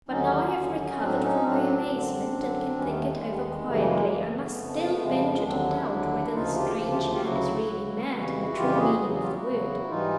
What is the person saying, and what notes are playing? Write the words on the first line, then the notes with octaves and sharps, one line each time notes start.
But now I have recovered from my amazement, and can think it over quietly, I must still venture to doubt whether this strange man is really mad in the true meaning of the word.
D#2 D3 F#3 C#4 D#4
D#2 D3 F#3
A2 F#3 C4 D4
C#4 D#4
A2 F#3 C4 D4
F#2 D3 F#3
F#2 D3 F#3
D#2 D#3 G3 B3 C#4
A3 B3
G3 A3
G#3
D#2 D#3 G3
F#2 C#3 E3 G3 A3
G#3 A#3
F#2 C#3 E3 A3 B3
F2 C#3 F3
F2 C#3 F3 G#3
G3
G#3
G#3
D#2 D3 F#3 C4 D4
D4 E4
D#2 D3 F#3
D2 C#3 F3 D#4 F4
F4 G4
D2 C#3 F3 F4 G4
F4 G4
F4 G4
D2 C#3 F#3 E4 F#4
D2 C#3 F#3
F2 C#3 E3 G3
F2 C#3 E3 G3 F4 G4
F#4 G#4
E2 C#3 F#3 F#4 G#4
F#4 G#4
F4 G4
E4 F#4
E2 C#3 F#3
G#2 E3 G3 D#4 F4